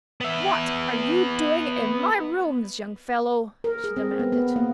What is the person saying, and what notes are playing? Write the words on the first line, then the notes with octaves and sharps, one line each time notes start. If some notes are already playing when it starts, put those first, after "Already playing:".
"What are you doing in my rooms, young fellow?" she demanded.
B3 E5
A#4
G#4
C4
B3
B3
A#3